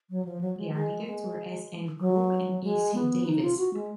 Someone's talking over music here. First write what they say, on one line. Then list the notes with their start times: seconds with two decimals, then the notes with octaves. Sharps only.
The architects were S. N. Cooke and E. C. Davies.
0.10 F#3
0.25 F3
0.41 F#3
0.57 G#3
0.73 G#3
1.05 G#3
2.00 F#3
2.63 G#3
2.95 B3
3.27 D#4
3.42 F4
3.57 F#4
3.74 G#3